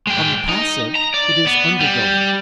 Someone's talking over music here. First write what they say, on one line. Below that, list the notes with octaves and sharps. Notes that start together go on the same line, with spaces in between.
On the passive, it is undergoing.
G#3 G5
D#4
A#5
D5
B3
G3